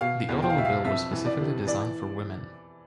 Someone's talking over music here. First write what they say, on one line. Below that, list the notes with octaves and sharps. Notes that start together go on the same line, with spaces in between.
The automobile was specifically designed for women.
B2 F5
E2
G5
F5
B2 E5
F5
F2 E5
E3
D5
C3
E3 D5